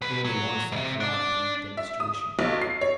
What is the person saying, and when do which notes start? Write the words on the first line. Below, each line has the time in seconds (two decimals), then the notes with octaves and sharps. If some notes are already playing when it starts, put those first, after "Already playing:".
Only once did Calliope make demonstration.
0.02 B1 B4
0.24 F#3
0.72 G#2 C3
1.00 D4 D5
1.77 E5
2.00 D#6
2.39 B1
2.62 C7
2.81 C#5